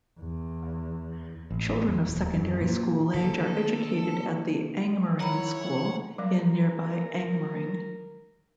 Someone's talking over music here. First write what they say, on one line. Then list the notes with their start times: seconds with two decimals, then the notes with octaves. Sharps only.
Children of secondary school age are educated at The Angmering School in nearby Angmering.
0.20 E2
1.51 A1
1.88 E2
2.07 D#1
2.37 F#2
2.61 A#2
3.14 D3 D#3 A#3 A4
5.20 E4 C#5 F#5 A#5 B5
6.18 F#3 G3 A#4